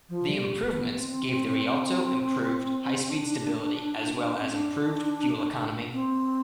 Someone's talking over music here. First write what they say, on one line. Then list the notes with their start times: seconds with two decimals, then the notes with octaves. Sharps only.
The improvements gave the Rialto improved high-speed stability as well as improved fuel economy.
0.09 F3
0.28 G3
0.63 B3
0.98 C4
3.10 D4
4.42 C4
4.51 D4
5.93 C4